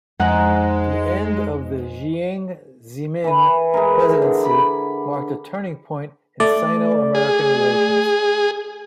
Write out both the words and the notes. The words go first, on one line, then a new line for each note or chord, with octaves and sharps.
The end of the Jiang Zemin presidency marked a turning point in Sino-American relations.
F2 G#3 D#4 C5 F#5 G#5
E3 B4
G#3 E4 A#4
D3
B5 D6
A3 D5
G#4